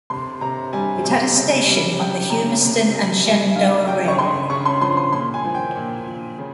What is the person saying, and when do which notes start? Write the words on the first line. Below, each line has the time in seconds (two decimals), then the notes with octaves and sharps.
It had a station on the Humeston and Shenandoah Railway.
0.10 C3 C6
0.41 C3 A#5
0.73 G3 G#5
1.04 C3
1.36 C#3
1.67 G3
1.99 G3 G5
2.30 C#3 A#5
2.61 C3
2.93 G3
3.24 G3 G#5
3.56 D#3 F5
3.87 C#3 G5
4.08 C#6
4.18 C#3 C6
4.50 C#3 C#6
4.65 C6
4.81 F3 C6
4.97 C6
5.13 A#2 C6
5.34 G#5
5.45 F3
5.54 G5
5.76 A#2
6.07 A#2
6.38 C#3